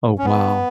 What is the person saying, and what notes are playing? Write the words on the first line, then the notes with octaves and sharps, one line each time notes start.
Oh wow.
C#4
B3